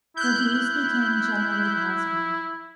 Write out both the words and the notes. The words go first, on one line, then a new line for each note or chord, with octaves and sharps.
Reviews became generally positive.
E4 F#6 G6